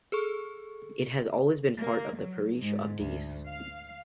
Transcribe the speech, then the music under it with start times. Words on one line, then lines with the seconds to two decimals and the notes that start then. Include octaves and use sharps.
It has always been part of the parish of Diesse.
0.12 G#4 A4 C#6
1.75 A#3
2.17 F#3
2.57 G#2
2.97 D2
3.48 F5